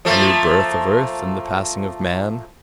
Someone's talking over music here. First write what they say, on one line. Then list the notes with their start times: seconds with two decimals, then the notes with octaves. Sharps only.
A new birth of Earth and the passing of man?
0.05 F3 A3 A#3